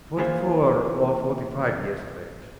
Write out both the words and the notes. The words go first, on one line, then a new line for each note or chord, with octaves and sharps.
"Forty-four or forty-five years of age."
E3 A#3 F4 G#4 C5